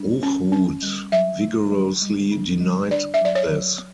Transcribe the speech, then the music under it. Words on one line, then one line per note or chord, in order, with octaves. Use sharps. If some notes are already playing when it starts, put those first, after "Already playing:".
Hochhuth vigorously denied this.
Already playing: G3 D4
C#4
C#4
G3
F#3 E5
A3
F#3
G3
D4
G3
D4 D5
E5
F#3 D5
C#5
F#3